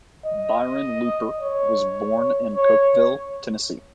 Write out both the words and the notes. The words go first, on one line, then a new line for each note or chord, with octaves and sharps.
Byron Looper was born in Cookeville, Tennessee.
D#5
C#5
C#5